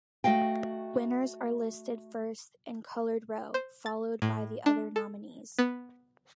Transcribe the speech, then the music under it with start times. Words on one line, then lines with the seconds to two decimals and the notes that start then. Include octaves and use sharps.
Winners are listed first in colored row, followed by the other nominees.
0.24 A3 F#4 D#5 F5 G5
3.54 C5
3.86 A6
4.22 A2
4.66 D4
4.96 A4
5.59 B3